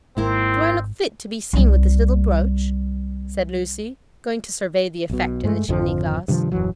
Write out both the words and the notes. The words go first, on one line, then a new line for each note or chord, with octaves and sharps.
"Do I look fit to be seen with this little brooch?" said Lucy, going to survey the effect in the chimney-glass.
G#1 G#2 A#3 C4 E4 A#4
C2 G3
B1 B2
G2 G#3 A3
G#1 F2 D3 F3
G2 C3 D#3 F3
D#1 F#2 E3 F#3